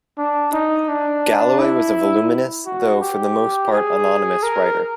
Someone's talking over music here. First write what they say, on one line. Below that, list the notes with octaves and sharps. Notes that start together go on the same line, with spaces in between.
Galloway was a voluminous, though, for the most part, anonymous writer.
D4
D#4
D4
E4
F#4
G4
G#4
A#4